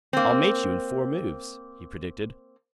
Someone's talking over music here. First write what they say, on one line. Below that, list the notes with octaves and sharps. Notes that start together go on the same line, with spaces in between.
"I'll mate you in four moves," he predicted.
A#3 C4